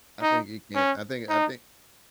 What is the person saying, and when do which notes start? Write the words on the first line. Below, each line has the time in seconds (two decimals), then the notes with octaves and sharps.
I think it can I think I think,
0.22 D#4
0.75 C#4
1.29 D#4